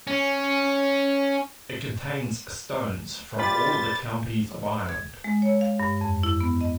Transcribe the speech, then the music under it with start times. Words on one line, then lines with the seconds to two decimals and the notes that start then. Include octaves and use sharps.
It contains stones from all of the counties of Ireland.
0.07 C#4
3.39 G3 F4 G4 B5 A6
4.89 G#6
5.24 G#3
5.42 C#5
5.61 F5
5.79 G2
6.01 F2
6.23 E4
6.41 B3
6.61 D#5